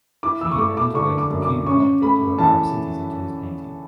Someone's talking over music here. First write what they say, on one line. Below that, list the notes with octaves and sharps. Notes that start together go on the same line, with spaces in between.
Klee had integrated the cubic architecture of Arab cities into his painting.
E4 D6
E6
C#6
A3 D6
D6
D3 C#6
D6
F#2
D6
C#4 C#6
A3 B5
E3 A5